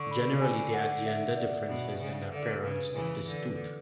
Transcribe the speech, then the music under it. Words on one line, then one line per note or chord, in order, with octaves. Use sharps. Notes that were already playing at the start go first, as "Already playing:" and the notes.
Generally, there are gender differences in the appearance of this tooth.
Already playing: D3 C#6
B5
G#5
F#5
E5
D5
B2
C#3
D3
C#3 B4
C#3 E3
D3